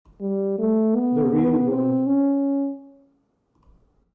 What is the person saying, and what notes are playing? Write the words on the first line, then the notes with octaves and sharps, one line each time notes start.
The Real World.
G3
A3
B3
B3
C4
C#4